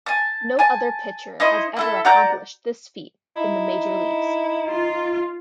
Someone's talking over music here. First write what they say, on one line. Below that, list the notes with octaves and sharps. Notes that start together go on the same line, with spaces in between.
No other pitcher has ever accomplished this feat in the major leagues.
G#5 A5
G#5 A5
D#4 E4 C5 D#5
E4 A4 E5
F#4 D5 A#5 G6
D#4 E4
F4